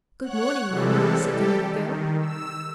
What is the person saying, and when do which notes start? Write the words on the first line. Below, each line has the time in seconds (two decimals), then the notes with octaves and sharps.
"Good morning, mammy," said the little girl.
0.21 C#5 F#5 F#6
0.67 C3 E3 G3 G#3 A4
1.24 G3 G4 A4
1.68 D#3
2.18 E6